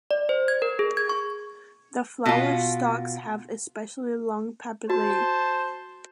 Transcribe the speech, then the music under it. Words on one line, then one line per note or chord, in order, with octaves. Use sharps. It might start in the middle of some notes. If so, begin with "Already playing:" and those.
The flower stalks have especially long papillae.
D5
C5
G#6
A#4
G#4
G#6
C#6
B2 F4
F#4 C5 A5